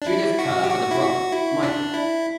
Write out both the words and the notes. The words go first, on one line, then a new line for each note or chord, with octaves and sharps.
Judith Kerr had a brother, Michael.
D4
E4
F#4
G4
F#4
E4
F#4
E4
D4
E4